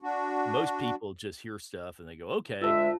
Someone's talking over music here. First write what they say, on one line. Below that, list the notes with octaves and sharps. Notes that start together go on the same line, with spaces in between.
Most people just hear stuff, and they go, "Okay,"
D4 F#4
D2 G#3 F4 E5 A5